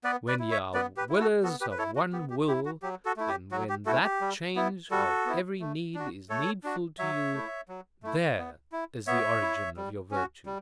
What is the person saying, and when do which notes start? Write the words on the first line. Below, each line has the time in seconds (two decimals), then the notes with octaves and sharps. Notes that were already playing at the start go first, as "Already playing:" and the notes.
When ye are willers of one will, and when that change of every need is needful to you: there is the origin of your virtue.
0.04 B3 B4 D5
0.28 B4 D5
0.39 E4
0.51 C#5 E5
0.74 B3 B4 D5
0.97 G4 B4
1.09 E4
1.20 F#4 A4
1.43 B3 F#4 A4
1.61 G4 B4
1.71 B4
1.78 E4 A4 C#5
1.96 F#4
2.13 B3 G4
2.30 G4
2.48 E4 G4
2.65 F#4
2.82 F#3 G4
3.05 F#4 A4
3.17 A3 E4
3.29 G4
3.52 F#3 F#4
3.69 G4
3.86 A3 E4 F#4 A4
4.04 G4
4.21 G3
4.56 B3 E4
4.91 G3 F#4 A4
5.26 B3 E4
5.60 A3
5.95 D4 F#4
6.30 A3 A4 C#5
6.64 D4 F#4
6.99 F#3 C#5 E5
7.33 A3 E4
7.69 F#3
8.03 A3 E4
8.38 B3
8.72 E4
9.07 B3 C#5 E5
9.42 E4
9.77 G3
10.11 C#4 F#4
10.46 G3